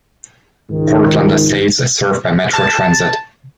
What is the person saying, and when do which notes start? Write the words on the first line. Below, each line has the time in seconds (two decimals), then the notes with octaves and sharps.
Portland Estates is served by Metro Transit.
0.71 C#2 G#2 D#3
2.53 A5